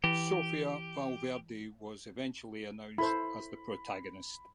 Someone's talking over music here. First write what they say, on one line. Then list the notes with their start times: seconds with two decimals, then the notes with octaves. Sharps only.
Sophia Valverde was eventually announced as the protagonist.
0.04 E3 G4
2.98 E4 A4 C5 B5